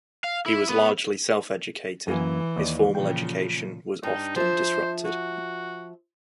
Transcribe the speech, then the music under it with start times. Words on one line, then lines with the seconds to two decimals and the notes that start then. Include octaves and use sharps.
He was largely self-educated: his formal education was often disrupted.
0.24 F5
0.46 E4
0.69 B3
2.07 F#2 E3 A#3 G#5
2.56 D#2 D5
2.95 A#2 C#3 F3 G5
4.03 G2 D#4
4.36 F3 C5 E5
5.05 F#4